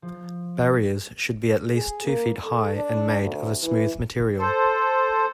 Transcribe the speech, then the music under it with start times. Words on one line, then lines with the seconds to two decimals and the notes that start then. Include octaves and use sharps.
Barriers should be at least two feet high and made of a smooth material.
0.02 F3
1.75 G#4
2.05 A#3
2.43 A4
2.75 D4
3.22 D2
3.62 E3
4.39 A4 C5